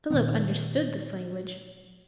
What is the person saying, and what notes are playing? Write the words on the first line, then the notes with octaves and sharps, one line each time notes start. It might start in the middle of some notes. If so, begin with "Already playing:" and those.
Philip understood this language.
A#2 D#3 B3 C4